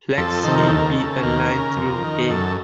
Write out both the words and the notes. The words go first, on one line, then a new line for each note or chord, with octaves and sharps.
Let "C" be a line through "A".
F2 A4
C3 D#3 A4
A#4
D#2 A4
A#4
A4
C#3
D#2 A#4
C#3
F2
D#3
F#2 A4